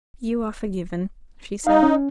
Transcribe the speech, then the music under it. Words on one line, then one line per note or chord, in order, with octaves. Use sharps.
"You are forgiven," she said.
D#4 F5
C#4